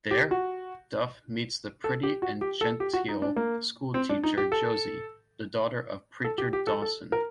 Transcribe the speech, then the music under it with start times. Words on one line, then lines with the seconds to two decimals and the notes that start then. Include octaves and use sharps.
There, Duff meets the pretty and genteel schoolteacher Josie, the daughter of Preacher Dawson.
0.11 G4
0.31 F#4
1.84 A4
2.03 G4
2.22 F#4
2.41 G4
2.61 A4
2.80 G4
2.93 F#4
3.08 D#4
3.22 D4
3.36 A#3
3.94 C4
4.09 D4
4.23 D#4
4.38 G4
4.52 A4
6.24 A4
6.38 G4
6.53 G4
6.67 A4
6.82 A4
7.12 A#4